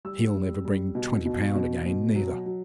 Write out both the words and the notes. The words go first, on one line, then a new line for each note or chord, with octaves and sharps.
He'll never bring twenty pound again, neither.'
G3 E6
G3
G3
B2
B2
B2
B2
F#3
F#3